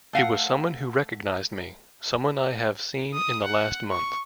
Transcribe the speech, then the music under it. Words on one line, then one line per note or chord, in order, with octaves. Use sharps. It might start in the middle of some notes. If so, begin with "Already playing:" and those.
It was someone who recognised me, someone I have seen in the last month.
A3 F5 F#5
D#6
F#5
C#6